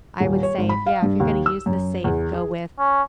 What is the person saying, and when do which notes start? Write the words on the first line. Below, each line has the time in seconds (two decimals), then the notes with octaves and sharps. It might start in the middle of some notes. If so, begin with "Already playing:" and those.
I would say if yeah, if you're gonna use the safe, go with
0.20 D#1
0.43 C#5
0.58 G#1
0.69 B5
0.86 F5
1.02 G2
1.20 D#2
1.46 E6
1.66 F#2
2.04 E2
2.33 G#4
2.79 C#4